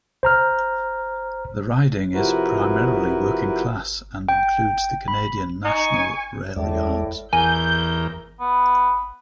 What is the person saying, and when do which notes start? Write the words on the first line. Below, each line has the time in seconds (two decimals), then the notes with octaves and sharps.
The riding is primarily working-class, and includes the Canadian National rail yards.
0.23 C5 A#5 F6
2.14 C3 F3 E4 F#4 A#4 B4
4.29 G5
5.08 B5
5.65 D#4 G#5 C#6
6.56 E2 A2 G#3 D5
7.33 E2 A#4 G#5 G6
8.40 B3